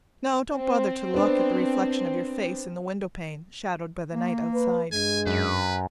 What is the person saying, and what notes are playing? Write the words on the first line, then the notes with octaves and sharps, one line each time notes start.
No, don't bother to look at the reflection of your face in the window-pane shadowed by the night outside.
C4
B3 D4
A#3
B4
G2 G#3 G#5
F#2 B4